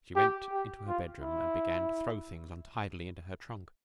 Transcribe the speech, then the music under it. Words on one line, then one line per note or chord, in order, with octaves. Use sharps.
She went into her bedroom and began to throw things untidily into her trunk.
G4
G4
F4
E4